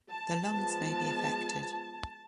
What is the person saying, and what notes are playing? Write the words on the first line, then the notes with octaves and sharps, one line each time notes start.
The lungs may be affected.
A5
F3 G#3 B3 F4